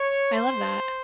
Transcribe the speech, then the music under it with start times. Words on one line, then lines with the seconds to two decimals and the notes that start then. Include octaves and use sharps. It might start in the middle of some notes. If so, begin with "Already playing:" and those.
I love that.
Already playing: C#5
0.33 C5